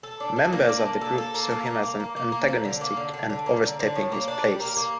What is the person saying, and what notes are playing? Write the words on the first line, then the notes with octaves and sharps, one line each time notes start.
Members of the group saw him as antagonistic and overstepping his place.
A4
D4
D4
A#3
D4
A#3
A4
A4
A#3
A#3
A#3
A#3
A#3
A#3
A#3
F3
D3
A#3
D3
D3
D3
A#3
D3
D3
A2
A#3
D4
G3
A#3
A#3